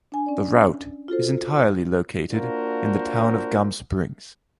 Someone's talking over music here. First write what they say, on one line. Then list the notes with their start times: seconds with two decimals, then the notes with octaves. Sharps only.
The route is entirely located in the town of Gum Springs.
0.12 D4 G#5
0.26 C#4 D5
1.08 F4 F#4 A4 C5
2.31 A#3 D4 F4 F#4 A#4 C5